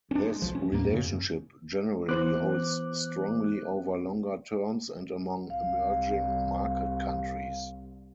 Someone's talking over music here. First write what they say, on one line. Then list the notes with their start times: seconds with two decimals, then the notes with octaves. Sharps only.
This relationship generally holds strongly over longer terms and among emerging market countries.
0.11 C#4 D4
0.24 G#3
0.42 B1 F3
0.55 C#4
0.72 D#2 A2 A#3
0.89 F#2 C#3
2.09 E3 B3 C5 D6 F#6
5.50 C2 F5